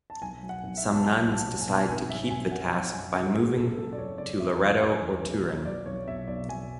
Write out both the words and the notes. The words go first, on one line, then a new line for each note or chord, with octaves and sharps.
Some nuns decide to keep the task by moving to Loreto or Turin.
A5
B1 G#5
F#3
F#5
B1
E5
B2
A5
F#3 G#5
B1
A5
F#3
G#5
B2 A5
G#5
G#1 G#5
F#3 E5
G#1 G#5
F#3 F#5
F#2 F#5
F#2 G#5
C#3 F#5
G#1 G#4
F#1 A4
C#3 A4
D5
F#1 C#5
C#3 D5
E2 E5
F#1
C#3
G#5
E2
B1
F#3
F#3 D5
B1 C#5
B2 E5
B1 D5
B1 G#5